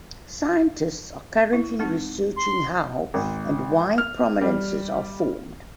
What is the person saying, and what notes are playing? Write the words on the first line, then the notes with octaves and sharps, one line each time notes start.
Scientists are currently researching how and why prominences are formed.
E4
G#3 C4 D#4
C6
G#1
F6
G3